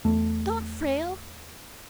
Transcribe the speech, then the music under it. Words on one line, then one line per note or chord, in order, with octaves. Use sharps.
Don't, Frale.
E2 A3